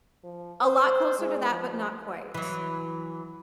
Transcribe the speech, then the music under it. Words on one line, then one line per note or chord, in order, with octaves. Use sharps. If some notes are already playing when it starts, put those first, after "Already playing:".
A lot closer to that but not quite.
F3
C5
G#3
F3
E3 F#3